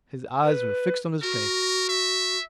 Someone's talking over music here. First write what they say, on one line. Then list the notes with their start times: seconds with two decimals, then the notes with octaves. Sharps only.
His eyes were fixed on his plate.
0.44 B4
1.22 F#4 A#4
1.89 E5